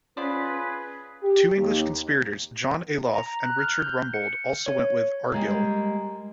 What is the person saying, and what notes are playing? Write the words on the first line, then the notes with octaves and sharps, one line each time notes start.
Two English conspirators, John Ayloffe and Richard Rumbold, also went with Argyll.
B3 C#4 F4 G#4 B4 C5 D5
G4
D#2
A#5
F#6
F6
G6
C#7
C#5
G3 G#3 A#3